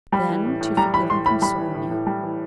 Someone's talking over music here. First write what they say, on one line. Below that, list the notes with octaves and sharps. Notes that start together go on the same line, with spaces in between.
"Then to forgive and console me."
G3 B5
E3
A2
A2
G3 A#5
E3 B5
A2 C6
A2 B5
G3 B5
E3
A2
A2
G3
E3